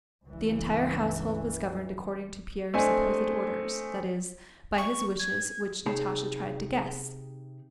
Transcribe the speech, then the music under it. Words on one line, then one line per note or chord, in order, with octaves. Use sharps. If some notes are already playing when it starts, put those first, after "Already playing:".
The entire household was governed according to Pierre's supposed orders, that is, by his wishes which Natasha tried to guess.
C#2 G2 E3
A3 C4 D4 C5 D#5 G#5
C#6
G#6
C3 D#4 G#4 C#5 A5 B5